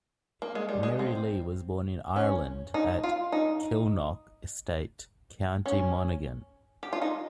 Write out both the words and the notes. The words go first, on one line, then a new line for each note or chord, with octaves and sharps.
Mary Lee was born in Ireland at Kilknock Estate, county Monaghan.
A#3
G#3
G3
G#3
C4
C#4
D#4
F4
D#4
C#4
G4
F4
D#4